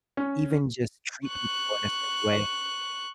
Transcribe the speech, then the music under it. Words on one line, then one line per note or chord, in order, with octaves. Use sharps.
even just treat people in a certain way.
C#4
C#6 F#6